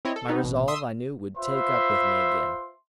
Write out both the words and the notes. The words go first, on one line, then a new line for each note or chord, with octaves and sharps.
My resolve I knew would take up with me again.
C4 E4 C#5 D#5
A4
B3 C4 D#4
A1 B2
E5 C6 D#6 E6
F4 B4 C5 E5 C6